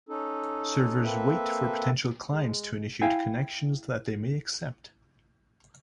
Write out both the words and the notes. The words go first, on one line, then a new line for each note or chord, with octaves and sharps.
Servers wait for potential clients to initiate connections that they may accept.
C#4 D#4 A4
A#3 C4 A4 B4 E5
G#3
E4 F5 G5 G#5